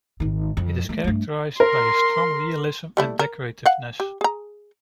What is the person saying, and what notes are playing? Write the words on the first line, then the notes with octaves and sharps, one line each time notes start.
It is characterized by a strong realism and decorativeness.
G#1 D#3
F2
A3 A#3
G2 A3
A#4 C6
G3 A3 E4
A#4
F5 F#5
G4
G#4 A#5